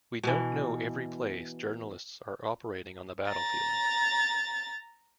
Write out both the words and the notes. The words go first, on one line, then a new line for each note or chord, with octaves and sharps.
We don't know every place journalists are operating on the battlefield.
B2 E3
A#5 A6